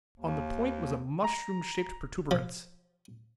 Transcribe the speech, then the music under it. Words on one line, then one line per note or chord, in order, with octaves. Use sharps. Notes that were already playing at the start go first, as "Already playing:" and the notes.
On the point was a mushroom shaped protuberance.
D#2
A#5
F3